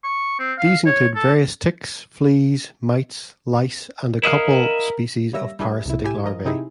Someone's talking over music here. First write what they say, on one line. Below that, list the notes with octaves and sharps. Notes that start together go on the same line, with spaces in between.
These include various ticks, fleas, mites, lice, and a couple species of parasitic larvae.
C#6
C4
F5
C#5
A4
E4 A#4 D#5 F5
G3 A#3 C#5 E5 E6 A#6
G3 D4 E4 G#4 B4 E5
C2 C3 E4
A2 E4 G4 G#5 E7
F3 A#4 D#5
C3 C4 D#4 E4 G4 G#4